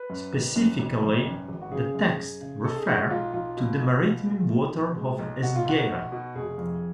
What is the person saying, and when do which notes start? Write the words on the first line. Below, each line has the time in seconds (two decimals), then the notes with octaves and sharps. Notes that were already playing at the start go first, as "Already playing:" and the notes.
Specifically, the texts refer to the maritime waters of Esgueira.
Already playing: B4
0.10 F#2
0.33 G#1
0.56 F#2
0.79 G#1
1.02 G#1
1.26 F#2
1.48 G#1
1.61 F#4
1.72 C#3 G#4
1.95 F#2
2.19 F#2
2.41 C#3
2.64 B1 A4
2.76 G#4
2.87 G#3 F#4
3.10 B1 F4
3.33 B1 F4
3.57 B2
3.80 B1
4.03 B2
4.26 G#3
4.50 B1
4.73 B2
4.96 G#3
5.19 B1
5.43 B1 F#4
5.56 F4
5.65 B1 F#4
5.89 B1
6.12 B2
6.35 F1 G#4
6.58 F2